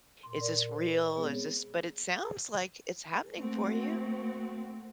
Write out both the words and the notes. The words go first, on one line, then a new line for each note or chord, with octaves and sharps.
is this real, is this but it sounds like it's happening for you,
A#2 C6
A#4 D5
C5
G#3 B3 C4 G#4 C#5
A3 A#3 C4 F#4